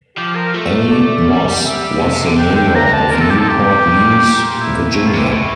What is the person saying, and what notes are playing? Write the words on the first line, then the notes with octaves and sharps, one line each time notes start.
A. Moss, was the mayor of Newport News, Virginia.
F3 G4
A#4
A3
D5
G3
E5
C3
C3
D3
D3 G5
G5
A#5
A#5
A5
C3 A#4
A4
G4
A4
G4
A#2
E4
A2 E4
F4
A#2 E4
A2